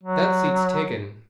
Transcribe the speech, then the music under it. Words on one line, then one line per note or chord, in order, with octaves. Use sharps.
That seat's taken.
F#3